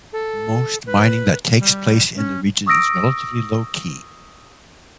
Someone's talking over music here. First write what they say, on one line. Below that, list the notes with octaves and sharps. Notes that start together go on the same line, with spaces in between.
Most mining that takes place in the region is relatively low key.
A4
B4
G3
C#4
C#6 D#6 E6 A#6 D7